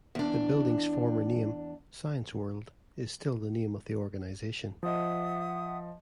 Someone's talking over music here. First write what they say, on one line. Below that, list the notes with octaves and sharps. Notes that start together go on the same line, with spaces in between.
The building's former name, Science World, is still the name of the organization.
E2 D4
F3 D#5 E5 F#5 D#6